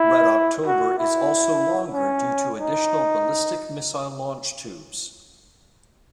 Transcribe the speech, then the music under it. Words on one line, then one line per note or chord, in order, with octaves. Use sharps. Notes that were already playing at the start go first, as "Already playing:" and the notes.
"Red October" is also longer due to additional ballistic missile launch tubes.
Already playing: E4
F#4
E4
C#4
D#4